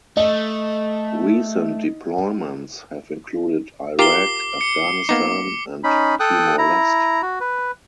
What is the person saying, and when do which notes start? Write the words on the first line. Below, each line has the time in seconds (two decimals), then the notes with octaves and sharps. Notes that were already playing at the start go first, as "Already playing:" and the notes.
Recent deployments have included Iraq, Afghanistan and Timor Leste.
0.17 A3 D#5
3.99 F4 G4 A#4 D6 C7 G7
4.61 C#7
5.09 A#3 B3 D#4 D6
5.84 C#4 D#4 B5
6.20 A4 G5 D#6 F#6
6.58 E4 A#5
7.22 F#4
7.40 B4